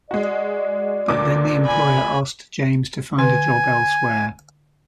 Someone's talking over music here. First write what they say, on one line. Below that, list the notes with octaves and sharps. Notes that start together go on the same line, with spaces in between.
But then the employer asked James to find a job elsewhere.
G#3 F#4 D5
D2 A#2 D6
G#5 B5
D3 B4 G#5